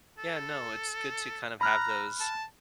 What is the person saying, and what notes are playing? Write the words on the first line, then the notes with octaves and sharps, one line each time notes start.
Yeah. No. It's good to kinda have those
A4
A#5 B5 F6 F#6
A5